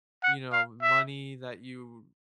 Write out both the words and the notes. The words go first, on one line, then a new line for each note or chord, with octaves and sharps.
you know, money that you
F#5
F5
E5